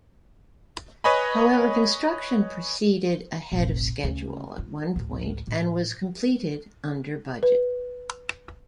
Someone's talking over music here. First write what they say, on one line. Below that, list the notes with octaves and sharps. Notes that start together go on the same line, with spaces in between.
However, construction proceeded ahead of schedule at one point and was completed under budget.
B4 C#5 D#5 G#5 B5
F1 A#1
D2 C#3
D#4 F4
A1 D2
A2
B4